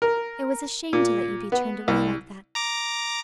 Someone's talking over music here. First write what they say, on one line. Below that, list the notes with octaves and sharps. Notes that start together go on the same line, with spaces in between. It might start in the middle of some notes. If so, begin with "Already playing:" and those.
It was a shame to let you be turned away like that.
A#4
A#2
B3
C2
A#5 D6